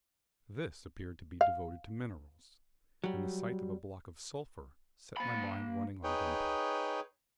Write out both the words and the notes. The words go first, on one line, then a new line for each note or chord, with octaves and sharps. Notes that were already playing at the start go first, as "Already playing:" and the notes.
This appeared to be devoted to minerals, and the sight of a block of sulphur set my mind running on gunpowder.
F5
F#3 G3
A#3 B5
D#4 G#4 B4 C#5 G5